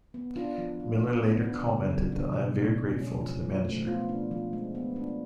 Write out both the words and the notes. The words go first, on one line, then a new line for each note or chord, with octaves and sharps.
Miller later commented that I am very grateful to the manager.
B3
D4 F4
F3
F3
B3
B3
D4
C#3
F#3
D4
B2
B2
G#3
C#4
F3
F3
A3
B3 F4
D4
F3
G#3
B3
D4